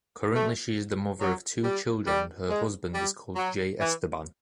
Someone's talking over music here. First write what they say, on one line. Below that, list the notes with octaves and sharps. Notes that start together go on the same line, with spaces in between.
Currently she is the mother of two children and her husband is called Jay Esteban.
A3
F#3
G3
G3
G#3
G3
F#3
E3